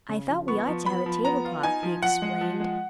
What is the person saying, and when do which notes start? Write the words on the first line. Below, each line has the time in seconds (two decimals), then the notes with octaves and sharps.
"I thought we ought to have a tablecloth," he explained.
0.09 C#3
0.29 F3
0.48 B3 C#6
0.67 F3
0.86 B3 B5
1.06 F3
1.25 B3 A#5
1.45 F4
1.63 D#4 G#5
1.83 F3
2.02 F3 F#5
2.22 G#3
2.41 F3
2.60 G#3